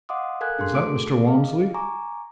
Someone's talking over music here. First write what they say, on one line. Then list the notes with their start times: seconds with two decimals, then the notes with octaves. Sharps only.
"Is that Mr. Walmsley?"
0.09 D#5 F5 F#5 C6 D6 D#6
0.41 A4 A#4 F5 G#5 F#6 G#6
0.59 D4 G#4 A#4 C6
0.73 A3 F#4 G#4 A4 D6 D7
1.28 G#4 D#5 F5
1.74 G#5 A#5 C#6 D6